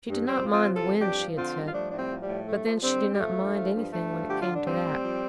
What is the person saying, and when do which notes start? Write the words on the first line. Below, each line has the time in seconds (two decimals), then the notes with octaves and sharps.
She did not mind the wind, she had said, but then she did not "mind" anything, when it came to that.
0.09 G2
0.26 F2 G3 C4
0.44 F3
0.50 C4 F4
0.63 C3
0.75 F4 A4
0.81 F2
0.99 G2 D4 G4
1.18 F3
1.36 D3 C4 F4
1.55 G2
1.68 F4
1.72 F3 A3 D4
1.90 A2 D4
1.96 G3 C4
2.10 F3
2.21 G3
2.27 A2
2.45 G2 A3
2.64 F3
2.82 D3 G3 C4
3.01 G2
3.12 G3
3.18 F3 A3
3.37 G2
3.55 F3
3.74 G2
3.91 G2 A3
4.10 F3
4.28 D3 G4
4.41 F4
4.47 G2
4.53 D4
4.65 F3 G3 C4
4.83 A2
5.02 F3